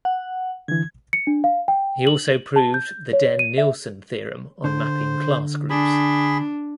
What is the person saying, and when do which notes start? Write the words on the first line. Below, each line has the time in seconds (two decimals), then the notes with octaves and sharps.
He also proved the Dehn-Nielsen theorem on mapping class groups.
0.05 F#5
0.68 D3 E3 G#6
1.13 C#7
1.27 D4
1.44 F5
1.68 G5
2.07 F#7
2.56 A5
2.74 G6
3.13 C#5
3.39 D#7
3.58 E5
4.64 D3 C5
5.70 D4 G#4 B5